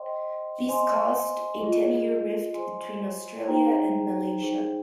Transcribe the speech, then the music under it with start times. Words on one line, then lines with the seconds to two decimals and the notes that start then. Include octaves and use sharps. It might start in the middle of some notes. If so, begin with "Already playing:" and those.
This caused a ten-year rift between Australia and Malaysia.
Already playing: C5 D#5 G5 C6
0.67 C5 D#5 G#5 C6
1.60 F4 G#4 D#5
2.54 C5 D#5 G#5 C6
3.48 D#4 G#4 C5 G5 A#5
4.42 D#4 G#4 C5 G5